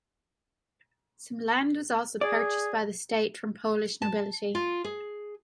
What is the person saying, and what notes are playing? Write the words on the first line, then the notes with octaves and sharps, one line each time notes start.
Some land was also purchased by the state from Polish nobility.
G#4 D5
A5
F4
G#4